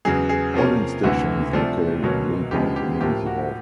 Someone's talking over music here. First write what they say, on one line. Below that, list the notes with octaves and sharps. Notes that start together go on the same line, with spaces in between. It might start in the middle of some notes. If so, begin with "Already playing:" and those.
Polling station is located in Lidong Community Hall.
E2 C#3 F#3 G#4
G#4
C3 F3 A#3 C#4
D2 C3 E3 A3 F#4
C3 F3 A3 D4
C#2 B2 F#3 A#3 C#4
D2 C#3 F3 G#3 B3 G4
G4
A2 F3 A#3 G4
F#4